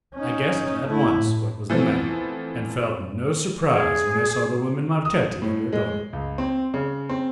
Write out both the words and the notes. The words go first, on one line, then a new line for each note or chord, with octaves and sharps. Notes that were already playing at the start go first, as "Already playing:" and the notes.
I guessed at once what was the matter, and felt no surprise when I saw the woman Marchetti and her daughter.
C#4 D#4
A3 E4
A2
E3 F3 A3 B3 C4
G#4
D#6
A2
G#3
C#2
C4
C#3
C4